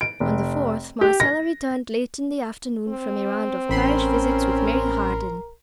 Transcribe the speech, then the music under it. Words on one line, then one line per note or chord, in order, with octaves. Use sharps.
On the fourth Marcella returned late in the afternoon from a round of parish visits with Mary Harden.
D7
F1
G4
A#6
C4
A1 C#4 A#4 B5 C6